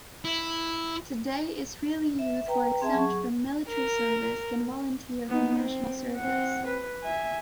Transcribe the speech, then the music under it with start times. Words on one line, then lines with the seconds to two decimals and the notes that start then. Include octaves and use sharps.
Today, Israeli youth who are exempt from military service can volunteer for national service.
0.25 E4
2.19 E5
2.47 B4 G5 A#5
2.82 C4 G#4 E5 A5
2.93 F#3 G#4 C#6
3.68 A#4
5.29 B3 D#4
5.60 C4
6.17 C4 F#5
6.68 B4
7.03 E5 G#5